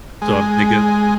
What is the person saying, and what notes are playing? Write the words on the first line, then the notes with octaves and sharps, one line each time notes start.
so I'm thinking
G#3